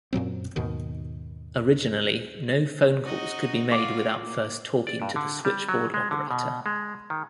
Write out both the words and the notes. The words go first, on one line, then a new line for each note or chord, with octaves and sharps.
Originally, no phone calls could be made without first talking to the Switchboard operator.
F#2 A#2 F#3 C4
D#2 G#2 B2 D#3
D#4 F#4 D#5
F4 F#4 D6
A#3
D5
G2
D3
G3
F#3
G#3
D3
B2
G#3
D#3